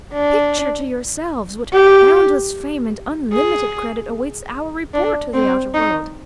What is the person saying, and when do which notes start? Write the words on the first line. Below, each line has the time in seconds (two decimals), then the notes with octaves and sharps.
Picture to yourselves what boundless fame and unlimited credit awaits our report to the outer world!
0.13 D4
1.73 G4
3.33 G#4
4.94 D4
5.34 C4
5.74 D#4